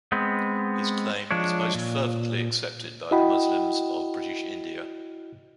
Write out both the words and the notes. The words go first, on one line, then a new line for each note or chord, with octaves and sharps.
His claim was most fervently accepted by the Muslims of British India.
G#3 B3 C4
F3 G#3 D4 C#5
A#2
E4 F#4 D#5 F#5 G5 B5